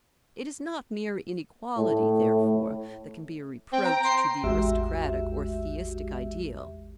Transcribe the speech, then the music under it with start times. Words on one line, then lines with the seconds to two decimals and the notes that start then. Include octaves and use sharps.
It is not mere inequality, therefore, that can be a reproach to the aristocratic or theistic ideal.
1.77 A2
3.72 C4 G5
3.85 A#5
4.04 C6
4.43 A1 E2 G#3 F#4 G4 E5